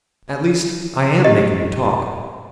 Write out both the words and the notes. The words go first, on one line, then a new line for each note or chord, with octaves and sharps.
At least, I am making you talk!
G4 D#5